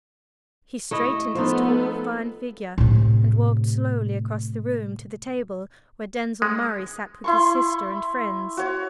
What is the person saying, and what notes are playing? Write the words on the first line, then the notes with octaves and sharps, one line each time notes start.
He straightened his tall, fine figure and walked slowly across the room to the table where Denzil Murray sat with his sister and friends.
A3 E4 D#5
F3 B3 D#4 A4
A2 C3
G#3
E4 C6 C#6
F#4 C#5